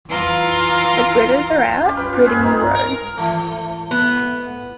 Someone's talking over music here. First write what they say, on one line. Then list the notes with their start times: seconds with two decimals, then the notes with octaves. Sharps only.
The gritters are out gritting the roads.
0.10 E3 F4 F5 A#5 C6
1.85 C#4 F4 G4
1.97 B4 G5
2.13 F4
2.26 C4 G#4
2.43 C4 D#4 F#5
2.74 A#4
3.17 E3 A3
3.91 B3